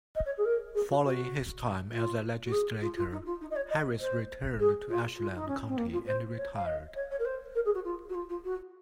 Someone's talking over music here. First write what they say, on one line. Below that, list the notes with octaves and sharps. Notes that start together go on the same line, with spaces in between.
Following his time as a legislator, Harris returned to Ashland County and retired.
D#5
C#5
G#4
A#4
G#4
F#4
F#4
F4
F#4
G#4
F4
F4
D#4
F4
D#4
D#5
C#5
D#5
C5
G#4
F4
F4
D#4
C#4
C4
A#3
F4
C5
C#5
F5
D#5
C#5
C#5
A#4
C5
A#4
G#4
F#4
F4
F#4
F4
F4
F#4